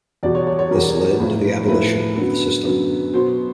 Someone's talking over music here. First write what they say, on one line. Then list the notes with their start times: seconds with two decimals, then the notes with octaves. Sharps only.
This led to the abolition of the system.
0.23 E2 B2 G3 D5
0.35 C#5
0.47 C#5
0.59 C#5
0.71 E2 B2 G3 A#4
1.20 A2 F3 A3
1.68 A2 F3 A3 B4
2.16 F#2 D3 F#3 B3
2.65 F#2 D3 F#3 B3
3.14 B2 F#3 B3 C5